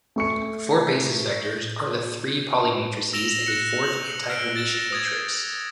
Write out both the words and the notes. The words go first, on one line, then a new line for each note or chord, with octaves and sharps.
The four basis vectors are the three Pauli matrices and a fourth antihermitian matrix.
A3 C#6 C#7
E6 A#6 E7 F7 G7
F#6 A#6 C#7 E7
F#7
E6 F6 D7
A6 A#6 E7
D#6 G#6 A6